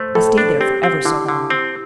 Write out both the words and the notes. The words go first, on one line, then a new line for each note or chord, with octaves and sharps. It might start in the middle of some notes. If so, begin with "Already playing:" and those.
I stayed there for ever so long.
Already playing: A3 C5
A2 A4
D4
C4 G4
C4
D3 E4
D3
C4